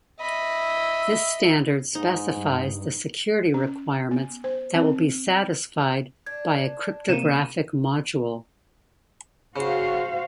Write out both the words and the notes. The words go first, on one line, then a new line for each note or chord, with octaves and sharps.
This standard specifies the security requirements that will be satisfied by a cryptographic module.
D#5 E5 B5
G#2 D#4
G2
C#4
B3
C5
C4
D4 G#6
C3 A#3 C#7 D#7 E7
C#3 F#4 C5 F5